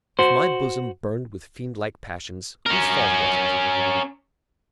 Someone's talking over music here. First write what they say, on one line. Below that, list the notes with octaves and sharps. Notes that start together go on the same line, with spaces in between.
If my bosom burned with fiend-like passions, whose fault was it?
F#4 C5
C#4 A#4